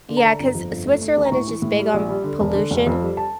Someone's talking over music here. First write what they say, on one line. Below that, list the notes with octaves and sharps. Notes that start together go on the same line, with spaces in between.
Yeah, 'cause Switzerland is just big on pollution,
D3
A#5
D3
G1 A#5
F2
G1
A3
A3
D2
A#5
A2 C#6
E3
A2
G3
A#1
G3
D3
E1
D3
F1
F2
G3
A5